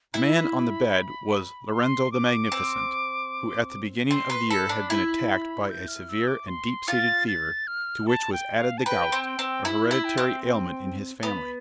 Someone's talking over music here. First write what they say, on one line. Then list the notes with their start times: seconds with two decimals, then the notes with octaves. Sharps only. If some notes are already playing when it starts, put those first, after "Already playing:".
The man on the bed was Lorenzo the Magnificent, who at the beginning of the year had been attacked by a severe and deep-seated fever, to which was added the gout, a hereditary ailment in his family.
0.14 E4 B5
1.73 C6
2.12 D6
2.52 C4
4.10 C4 C6
4.30 B4
4.50 A4 B5
4.69 D4
4.90 E4
5.69 G6
5.88 F6
6.09 E6
6.28 D6
6.48 C6
6.88 F4 A6
7.28 A6
7.67 F6
8.07 A5
8.33 G5
8.59 F5
8.78 A5
8.85 B4 G5
9.12 C4
9.25 G5
9.39 C4
9.65 E4 B5
9.91 E4
10.04 G5
10.18 C4
10.45 G5
11.23 B3 B5